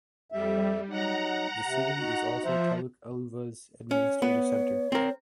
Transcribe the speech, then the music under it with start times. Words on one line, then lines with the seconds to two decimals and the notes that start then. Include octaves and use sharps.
The city is also Taluk Aluva's administrative center.
0.32 F2 G3 E5
0.89 F#3 D#4 F#5 A#5
1.65 C3
1.99 D#4 F#4
2.44 F3 C5 E5
3.91 C#4 C#5
4.22 B3
4.92 C4 A#4